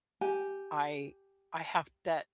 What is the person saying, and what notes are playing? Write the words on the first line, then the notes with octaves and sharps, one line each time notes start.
I I have that
G4 G#5